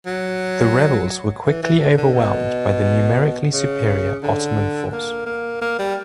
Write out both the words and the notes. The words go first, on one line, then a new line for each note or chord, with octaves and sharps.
The rebels were quickly overwhelmed by the numerically superior Ottoman force.
F#3
E3
E3
D3
D3
B2
C#3
D3
A#3
A#3
A#3
G3